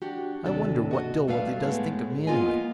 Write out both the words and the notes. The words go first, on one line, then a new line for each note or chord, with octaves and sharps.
I wonder what Dilworthy does think of me anyway?
D4 F#4 G4
D#2 G#2 C3 D4 A4
F#4 D#5
G3 A3 B4 F5
A2 G#3 A3 B3
A#3 B3 F4 A#4 D#5 G#5